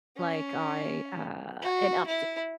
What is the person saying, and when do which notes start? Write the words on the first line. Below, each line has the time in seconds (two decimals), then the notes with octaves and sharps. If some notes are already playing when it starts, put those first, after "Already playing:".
like, I, uh an update.
0.17 C#4
1.62 F#4
2.07 E4